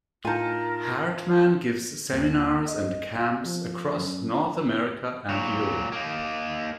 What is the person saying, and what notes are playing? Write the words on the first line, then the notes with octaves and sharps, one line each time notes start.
Hartman gives seminars and camps across North America and Europe.
A2 D#4 F4 A#4 G#5 A5
D#1
D#5
F5
F3
F#2
A#2 F#3
A#3 D#4